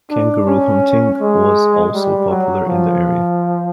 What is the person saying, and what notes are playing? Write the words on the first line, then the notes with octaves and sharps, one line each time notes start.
Kangaroo hunting was also popular in the area.
D4
C#4
G#3
G3
F#3
F3